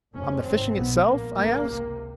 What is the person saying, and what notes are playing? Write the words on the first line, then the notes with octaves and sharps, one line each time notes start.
"On the fishing itself?" I asked.
F1 F2 C3 C#4
G#1 G#2 C4
B1 B2 B3
A#1 A#2 A#3
G#1 F#2 C#3 A#3
C#2 C3